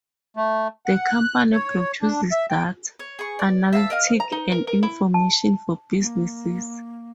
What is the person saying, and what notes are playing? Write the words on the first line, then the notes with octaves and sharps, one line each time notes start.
The company produces data, analytics and information for businesses.
A3
F#5
F#6
C#5
D4
E5
G5
C#5
G#4 C#6
D5
E5 F5 G5 A5
A#4 D#5 F5
A#5
D#4
A#4
A#4
E4
A5
A#3